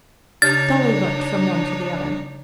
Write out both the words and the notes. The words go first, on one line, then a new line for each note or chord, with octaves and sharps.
Dolly looked from one to the other.
C#3 D4 D#4 G4 C#5 A6